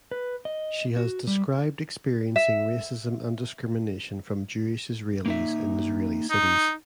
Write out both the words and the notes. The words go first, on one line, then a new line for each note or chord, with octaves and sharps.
She has described experiencing racism and discrimination from Jewish Israelis in Israeli cities.
B4
D#5
F#4
G3
E5
A#3 D#4 E5
D#4